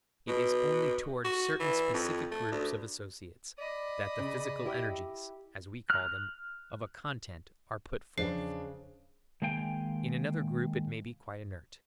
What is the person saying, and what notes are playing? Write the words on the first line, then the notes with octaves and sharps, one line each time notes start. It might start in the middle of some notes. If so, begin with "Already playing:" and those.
It is only towards certain specific groups of associates that the physical energies, as we call them, of a content are put forth. In another group it may be quite inert.
B2
F#4
E3
F2
A3
D2
D5 D#5 B5
C#3
E4 G4
F6 F#6
E2 C#3 F3 D4 C5 C7
D#3 G#3 A#3 F5 G5 G#5